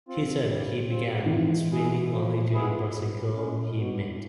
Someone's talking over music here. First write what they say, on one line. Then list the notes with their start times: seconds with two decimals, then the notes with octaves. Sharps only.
He said he began swimming only to impress a girl he met.
0.08 C4 F4
0.49 G3
0.90 C4 F4
1.26 D#3
1.30 E3 F3
1.71 G#3 B3 E4 G#4
2.12 F3
2.53 G#3 B3 E4 G#4
2.94 B2
3.34 G#3 C#4
3.75 B2